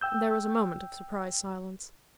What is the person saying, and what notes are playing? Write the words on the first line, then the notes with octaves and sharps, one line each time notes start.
There was a moment of surprised silence.
G5 E6 G6